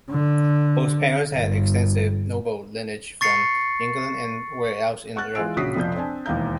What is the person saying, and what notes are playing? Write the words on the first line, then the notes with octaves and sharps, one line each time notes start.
Both parents had extensive noble lineage from England and elsewhere in Europe.
D3
G1
C#6 A6 C7 C#7
F#5 C#6 F6 F#6 A6
E3 G#3 F4 G#5 E6 D7
A#1 C#3 F#4 D#6 B6 C7
F1 F2 F3 D5 G6
C4 D4 G#5 A5
E1 D#2 E3 F5 A#5 G6